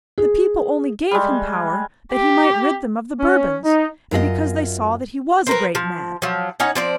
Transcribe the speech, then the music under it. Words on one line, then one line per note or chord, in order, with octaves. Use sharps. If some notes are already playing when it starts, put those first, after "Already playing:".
The people only gave him power that he might rid them of the Bourbons and because they saw that he was a great man.
G#4
G3 G#3
G4
C#4
D#4
F#2 F4 G4 D#5
C4 A#4 B4
F3
F3 F#3
C#4 D#4 C#5 F#5
F3 C4 D5